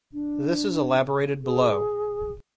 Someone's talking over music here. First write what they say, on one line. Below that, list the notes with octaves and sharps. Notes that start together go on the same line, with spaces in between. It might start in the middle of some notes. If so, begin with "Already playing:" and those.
This is elaborated below.
D4
G#4